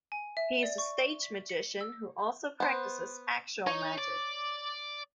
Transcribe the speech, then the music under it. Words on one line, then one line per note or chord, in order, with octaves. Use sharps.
He is a stage magician who also practices actual magic.
G#5
E5
D5
C#6
B6
C#7
E6
B3 C5
D#4 C#5
D5